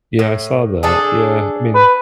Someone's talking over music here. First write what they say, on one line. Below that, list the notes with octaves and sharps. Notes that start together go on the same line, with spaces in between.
Yeah, I saw that. Yeah, I mean
A2
D4 G#4 A4
B4